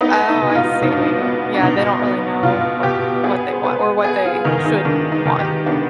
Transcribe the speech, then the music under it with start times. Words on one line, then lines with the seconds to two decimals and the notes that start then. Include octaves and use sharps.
Oh, I see. Yeah, they don't really know what what they want or what they should want.
0.01 B3 D#4
0.29 D#4
0.42 B2
0.49 D#4
0.55 F4
0.81 B2 D#4
0.92 D4
1.02 D#4
1.22 B3
1.54 D4
1.63 B2 D#4
2.02 B3
2.43 B2 F4
2.83 B2 G4
3.24 B3 G#4
3.53 C5
3.64 B3 B4
4.04 B3 G#4
4.25 F4
4.45 D#3 D#4
4.65 D#4
4.85 D#3 D4
5.12 D#4
5.25 D#3
5.39 G4
5.66 B3 D4